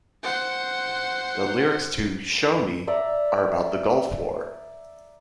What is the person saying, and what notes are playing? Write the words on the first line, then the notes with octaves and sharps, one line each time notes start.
The lyrics to "Show Me" are about the Gulf War.
C5 F#5
D5 E5 A#5